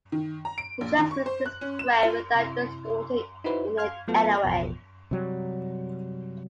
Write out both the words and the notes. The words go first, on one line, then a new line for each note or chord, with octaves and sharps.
He transmits this prayer without distorting it in any way.
D#3
A#5
D7
A#1
D#3
C#6
C5
F#6
C#4
E7
F4
C3 E4
D#4 E4 F#4 B4 C5
F5 C6 F6 G#6
F#3 A3 B3 F4 A4
A1 E2 B2 F3
C3 F#3 G3